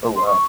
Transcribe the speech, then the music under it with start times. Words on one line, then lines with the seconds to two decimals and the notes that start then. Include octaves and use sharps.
Oh, wow.
0.16 C6
0.27 C#6